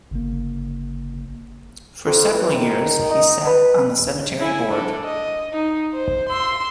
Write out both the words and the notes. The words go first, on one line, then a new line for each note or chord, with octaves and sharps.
For several years, he sat on the cemetery board.
G1 C#3 A#3
F2
E3
D#3
D#4
B4
E4 G#5
D4 A4
D#5
D#4
C5
C6 E6